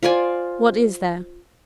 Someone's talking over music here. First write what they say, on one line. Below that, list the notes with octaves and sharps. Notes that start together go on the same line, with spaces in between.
What is there?
F4 C5 D5 G#5